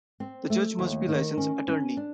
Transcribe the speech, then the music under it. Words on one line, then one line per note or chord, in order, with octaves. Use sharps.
The Judge must be a licensed attorney.
C4
A3
D#2
D#3
C#4
C#4
D4